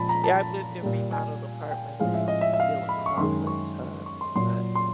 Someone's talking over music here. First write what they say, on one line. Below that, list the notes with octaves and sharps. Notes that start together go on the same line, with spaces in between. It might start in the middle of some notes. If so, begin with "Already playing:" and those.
Yeah, I've lived in remodeled apartments. They don't deal in clawfoot tubs, but
Already playing: A#2 F3 G#3 A5 B5
A#5
A5
A#2 G3
G#5
G5
A2 F3 G#3 F5
E5
D#5
E5
E5
F5
B5
C#6
F#2 D#3 G#3 C6
C#6
C#6
C6
A#2 F#3 C6
C6